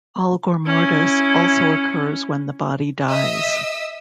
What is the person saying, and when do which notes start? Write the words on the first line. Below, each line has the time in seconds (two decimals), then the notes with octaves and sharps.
Algor mortis also occurs when the body dies.
0.66 C#4 E4
3.09 D#5 E5 D#6 E6 B6